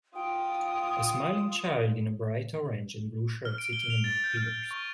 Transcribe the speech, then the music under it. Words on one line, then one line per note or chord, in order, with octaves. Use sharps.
A smiling child in a bright orange and blue shirt sitting among peers.
F4 G5 D#6
F6
D7
G7
F7
A6
G6
F6
C#6